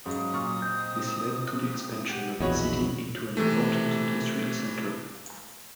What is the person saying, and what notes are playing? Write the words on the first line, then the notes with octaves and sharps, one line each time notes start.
This led to the expansion of the city into an important industrial center.
G#2 C#3 F#3 D#6
A#2 C#6 F6
C4 D#5 G6
G4 F#5
A#1 E2 F#3 F#4 C#5 D#5 B5
C3 E3 A3